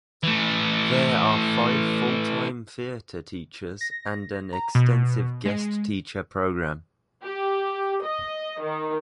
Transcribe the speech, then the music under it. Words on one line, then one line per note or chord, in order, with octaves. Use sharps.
There are five full time theater teachers and an extensive guest teacher program.
E3 A3
A#6
A#5
B2
G#3
G4
D#5
D#3